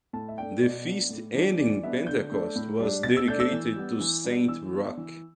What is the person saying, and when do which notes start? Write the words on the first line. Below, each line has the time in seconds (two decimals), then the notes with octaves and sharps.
The feast ending Pentecost was dedicated to Saint Roch.
0.13 A2 A5
0.29 E5
0.38 A3 D4 G5
0.62 B2 D5
0.86 B3 D4
1.10 A2
1.34 E3 G3 D4
1.59 E3 D5
1.83 G3 B3 D4 E5
2.07 D3 G6
2.32 A3 D4
2.56 A2
2.79 G3 D4
3.03 B2 A6
3.17 E6
3.28 A3 D4 G6
3.40 E6
3.52 E3
3.76 G3 B3
4.00 E3
4.24 G3 B3 D4
4.48 E3 E6
4.73 B3 D4
4.97 E3